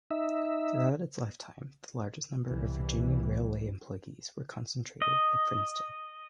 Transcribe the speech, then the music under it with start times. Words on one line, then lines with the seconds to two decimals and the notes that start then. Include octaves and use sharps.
Throughout its lifetime, the largest number of Virginian Railway employees were concentrated at Princeton.
0.11 D#4 E5
2.46 C2 B2 E3 G3
5.02 D#5